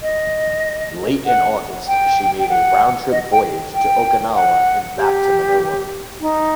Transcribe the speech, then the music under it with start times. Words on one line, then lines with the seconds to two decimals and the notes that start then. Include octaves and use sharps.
Late in August, she made a round-trip voyage to Okinawa and back to Manila.
0.03 D#5
1.26 F#5
1.88 G5
2.39 G5
2.49 F#5
3.12 D#5
3.32 G5
3.74 G5
4.35 F#5
4.97 G4
6.21 D#4